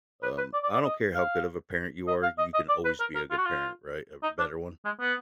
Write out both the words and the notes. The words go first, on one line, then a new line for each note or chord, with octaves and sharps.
um, I don't care how good of a parent you are, you can always be a good parent, right? A better one?
B4
B4
D5
D5
D5
D#5
F5
D#5
F5
D#5
D#5
D5
B4
A#4
A#4
F4
F#4
F4
D#4
D4
G#3
B3